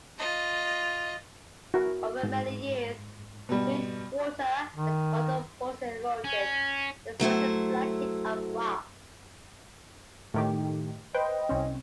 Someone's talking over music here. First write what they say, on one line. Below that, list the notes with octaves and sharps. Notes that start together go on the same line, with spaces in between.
Over many years, wind, water and other forces eroded the surrounding blanket of rock.
F4 D#5
E4 F#4 A#4
G#2
B2 G3
D#3
C#4
F#3 A3 E4 C5
A2 D#3 G4
B4 C5 D#5 G5
C2 C4 C#4